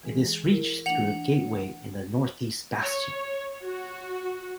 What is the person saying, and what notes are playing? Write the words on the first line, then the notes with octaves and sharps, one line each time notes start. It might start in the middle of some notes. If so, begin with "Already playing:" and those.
It is reached through a gateway in the north-east bastion.
E3 G#3 G#4
E4 A#4
E3 A3 D4 F#5 F7 F#7
C#5
F#4